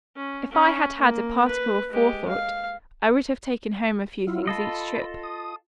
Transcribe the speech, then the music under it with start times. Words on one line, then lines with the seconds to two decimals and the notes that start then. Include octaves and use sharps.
If I had had a particle of forethought I would have taken home a few things each trip.
0.17 C#4
0.52 C#4
1.00 A#3
1.48 B4
1.91 G#3 G4
2.29 F5
4.27 F#3 E4 F4
4.47 F4 A4 D#5 B5
5.23 D#6